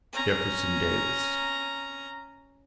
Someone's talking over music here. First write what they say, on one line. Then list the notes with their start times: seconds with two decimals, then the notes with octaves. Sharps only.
"Jefferson Davis."
0.14 C#4 A#5